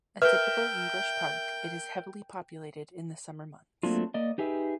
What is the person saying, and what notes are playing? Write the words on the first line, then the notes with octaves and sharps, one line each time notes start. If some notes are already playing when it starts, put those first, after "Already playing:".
A typical English park, it is heavily populated in the summer months.
A#4 B4 E5 G5 F6
F#3 A3 A#3 C4 D4 F4
A#3 D5 D#5
D#4 G4 G#4 B4 E5